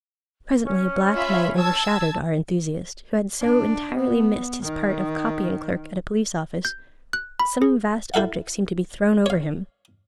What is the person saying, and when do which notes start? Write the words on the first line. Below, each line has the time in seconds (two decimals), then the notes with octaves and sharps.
Presently black night overshadowed our enthusiast, who had so entirely missed his part of copying-clerk at a police-office; some vast object seemed to be thrown over him.
0.63 C#4
1.14 F4 E5 B5
1.58 A5 E6 G#6
3.41 D4
3.97 B3
4.62 D#3
6.65 G6
7.13 F#6
7.40 B5
7.62 G#4
8.14 E4 A4 F5 F#5
9.26 C#5 F5